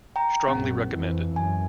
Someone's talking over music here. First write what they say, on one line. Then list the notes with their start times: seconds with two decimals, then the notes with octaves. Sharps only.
Strongly recommended.
0.16 G5 A#5
0.48 A#1 F#2 C4
0.92 F2 E3
1.36 F#2 G#5